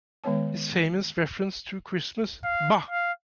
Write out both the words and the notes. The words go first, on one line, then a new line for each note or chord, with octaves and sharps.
His famous reference to Christmas, Bah!
D#3 G#3 B3 C#5 A5
F5
F5